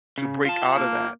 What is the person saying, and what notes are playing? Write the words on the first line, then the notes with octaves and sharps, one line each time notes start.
to break outta that,
C#3
F4 A5
A#3